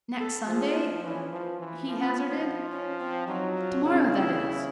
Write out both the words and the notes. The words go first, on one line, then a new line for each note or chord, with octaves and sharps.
"Next Sunday?" he hazarded. "To-morrow, that is?"
A4
F3 G#4
D4
E3 C#4
F3
E3
F3
C#4
C4
F#3 D#4
F4
C#3 E4
E4